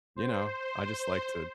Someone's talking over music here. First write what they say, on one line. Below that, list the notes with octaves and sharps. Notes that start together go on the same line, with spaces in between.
you know, I just like to
C5